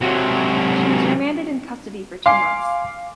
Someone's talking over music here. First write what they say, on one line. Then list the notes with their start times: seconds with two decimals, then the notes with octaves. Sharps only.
She was remanded in custody for two months.
0.02 C3 F#3
2.26 F5 G#5 C6 D6 C7